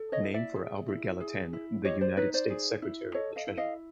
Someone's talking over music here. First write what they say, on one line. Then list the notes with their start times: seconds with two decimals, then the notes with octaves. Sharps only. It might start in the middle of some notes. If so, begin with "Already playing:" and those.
Name for Albert Gallatin the United States Secretary of the Treasury.
Already playing: A4
0.12 C#5 D#5
0.24 E4
0.34 D5 E5
0.56 G#4
0.88 E4
1.21 G#4
1.53 E4
1.85 G4 C#5 D#5
2.01 C5 D5
2.17 D#4 B4 C#5
2.34 C5 D5
2.50 G#4
2.82 E4
3.14 A4 C#5 D#5
3.36 D#5 F5
3.47 E4
3.57 D#5 F5